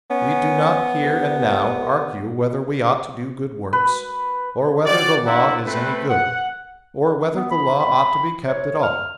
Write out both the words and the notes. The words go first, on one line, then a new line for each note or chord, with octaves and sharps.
We do not here and now argue whether we ought to do good works, or whether the Law is any good, or whether the Law ought to be kept at all.
B3 C#4
C2
B4
F#4 G4 C#5 D5
D4 E4 A#4 E5 F#5
A3 C4 B4
F#5
B3
B5
B5
C#5
F6